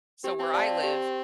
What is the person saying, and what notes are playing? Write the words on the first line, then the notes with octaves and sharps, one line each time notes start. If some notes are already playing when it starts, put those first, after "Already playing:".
So where I live
C4 G4
C4
D5 F5 A5
G4